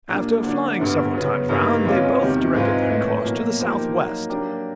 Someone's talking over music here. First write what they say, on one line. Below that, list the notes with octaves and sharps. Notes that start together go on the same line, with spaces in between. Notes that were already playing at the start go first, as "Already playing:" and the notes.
After flying several times round, they both directed their course to the south-west.
A#2 G3 A#3 D4
D3 F#3 A#3 D4
G2 D3 G3 B3 E4
C#3 F#3 B3
G2 E3 G3 A#3 D#4
C3 E3 G#3 C#4 F4
E2 C3 D#3 G3
G#2 E3 G#3 C4 F4
A2 E3 A3
B2 F#3 A#3
F3 A#3 D#4 G4 A#4
F#3 A#3 D#4
F#3 A#3 D4 G4 A#4